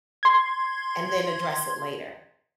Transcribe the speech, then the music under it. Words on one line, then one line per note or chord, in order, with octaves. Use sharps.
and then address it later.
C6 G#6